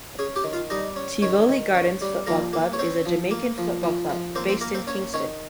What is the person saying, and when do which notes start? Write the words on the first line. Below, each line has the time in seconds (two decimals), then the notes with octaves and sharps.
Tivoli Gardens Football Club is a Jamaican football club, based in Kingston.
0.19 C#4 G#4 G#5
0.36 G4 G5
0.44 D#3
0.53 F4 F5
0.70 G3 D#4 D#5
0.96 C#4
1.22 D#3 C#4 C#5
1.49 D#3
1.75 C#4
2.01 G3
2.26 F3 A#3 A#4
2.53 A#3
2.73 C#5
2.79 C4 C#4 C5
3.06 F3
3.31 A#3
3.58 F3
3.84 F3
4.10 F3
4.35 A#3 C4 C5
4.49 C4 C5
4.61 A#3 A#4
4.74 C4 C5
4.87 C#4 C#5
5.14 D#3 C#4 C#5